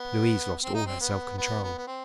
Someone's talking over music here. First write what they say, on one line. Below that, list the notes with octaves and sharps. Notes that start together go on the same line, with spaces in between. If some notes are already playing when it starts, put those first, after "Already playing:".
Louise lost all her self-control.
Already playing: B3
C4
D#4
C4
B3
B3
B3
B3
C4